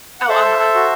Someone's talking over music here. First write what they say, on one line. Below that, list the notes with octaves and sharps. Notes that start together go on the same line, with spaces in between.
Oh, uh-huh.
F#5
A4 C5 E5
A4
A4
F#4